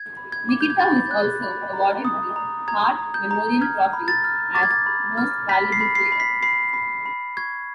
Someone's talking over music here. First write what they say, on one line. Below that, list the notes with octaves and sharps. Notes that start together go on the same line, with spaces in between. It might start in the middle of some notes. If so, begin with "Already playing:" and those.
Mikita was also awarded the Hart Memorial Trophy as most valuable player.
Already playing: G#6
B5
G#6
D6
G6
G#6
B5 A6
F#6
B5
A#5
D#6
A#5
A#5 G#6
A#5
G6
A#5
F6 G#6
B5
A6
F6
D6 A6
G#6
A6
B5
F6
B5 B6
C7
B5
C7
B5
B6
B5 C7
B5
B5
C#6 G#6